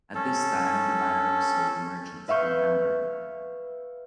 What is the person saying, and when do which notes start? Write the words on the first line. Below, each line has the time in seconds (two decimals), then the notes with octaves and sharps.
At this time the manor was sold to merchants from Hamburg.
0.15 C#4 A4
2.28 B4 E5 F5 C#6 G6